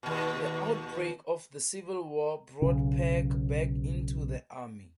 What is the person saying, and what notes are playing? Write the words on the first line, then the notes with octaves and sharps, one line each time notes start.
The outbreak of the Civil War brought Peck back into the army.
D#2 B2
B1 C#3